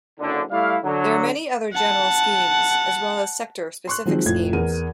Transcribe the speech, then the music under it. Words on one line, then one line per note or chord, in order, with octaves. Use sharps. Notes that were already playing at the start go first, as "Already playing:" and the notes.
There are many other general schemes, as well as sector specific schemes.
F#1 D3
G3 A3 E4 D5 F5
D3 F#3
F#5 A5
C6 C#6 F#6
D#3 F3 F#3 G#3 C4 C5
F1 A2 F4 G#6
E2 A#4 D#7